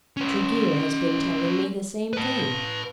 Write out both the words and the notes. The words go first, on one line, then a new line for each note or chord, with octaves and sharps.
"Tregear has been telling me the same thing."
C#4 B4
B4 A5